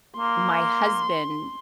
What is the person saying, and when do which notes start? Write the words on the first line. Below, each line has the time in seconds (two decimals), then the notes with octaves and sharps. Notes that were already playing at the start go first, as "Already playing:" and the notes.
my husband
0.17 A#3 C6